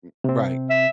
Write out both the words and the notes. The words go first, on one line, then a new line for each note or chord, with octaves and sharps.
Mm, right.
C3 C4
E5